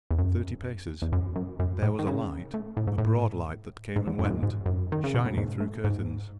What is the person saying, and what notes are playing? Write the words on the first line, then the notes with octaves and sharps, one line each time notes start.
Thirty paces--there was a light, a broad light that came and went, shining through curtains!
E2
F#2
E2
F#2
F#2
F#2
A2
D#3
C#3
A2
A2
G#2
A2
G#2
E2
F#2
G#2
F#2
G#2
F#2
D#3
C#3
B2
A2
G#2
A2
G#2